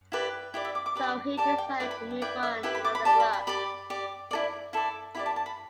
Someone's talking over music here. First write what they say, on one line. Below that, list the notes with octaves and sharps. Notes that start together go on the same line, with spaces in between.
So he decided to move on to another club.
E4 G4 B4 D5
E4 G4 D5 G5
E5
D6
D6
G4 B4 D5
G4 D5 A5
G5
E4 B4 D5 G5
B5
G5
E4 B4 D5 G5
E5
E4 G4 B4 G5
B5
D6
B5
G4 D5 A5
B5
B5
G4 D5 B5
G4 D5
E4 A4 D5
E4 A4 D5
E4 G4 D5 B5
A5
A5
B5